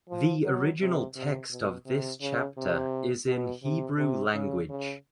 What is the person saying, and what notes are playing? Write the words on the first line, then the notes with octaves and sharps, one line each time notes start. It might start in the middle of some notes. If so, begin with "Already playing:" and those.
The original text of this chapter is in Hebrew language.
F3
F#3
C3
C3
B2
C3
C#3
C3
B2
C3
C3
C#3
C#3